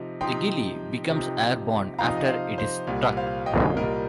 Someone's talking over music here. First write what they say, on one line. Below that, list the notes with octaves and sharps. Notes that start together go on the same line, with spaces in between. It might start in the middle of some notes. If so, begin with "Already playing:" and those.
The "gilli" becomes airborne after it is struck.
Already playing: C3 F3 D#4
C3 F3 D#4 G5 C6
C3 F3 D#4
C3 F3 D#4 F5 A#5
D#5
C5 F5
C5
C2 A#2 G3
C5 F5
D#5 G5
C2 A#2 G3 A#4 D#5